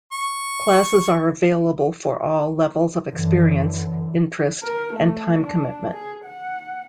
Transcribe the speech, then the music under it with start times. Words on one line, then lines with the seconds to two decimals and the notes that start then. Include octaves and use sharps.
Classes are available for all levels ofexperience, interest, and time commitment.
0.12 C#6
3.10 F#2 D3 E3
4.62 A#4
4.94 A3
5.40 D4
5.92 G#4
6.25 F#5